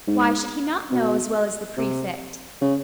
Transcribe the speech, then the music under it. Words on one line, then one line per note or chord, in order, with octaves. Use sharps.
'Why should he not know as well as the prefect?
G#2
B2
C3
C#3